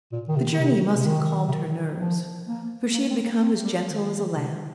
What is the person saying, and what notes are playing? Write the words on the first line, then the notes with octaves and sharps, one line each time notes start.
The journey must have calmed her nerves, for she had become as gentle as a lamb.
A#2
D#3
C3
D#3
C3
C3
D#3
C3
D#3
F3
A#3
A#3
C4
A#3
C4
G3
D#3
C3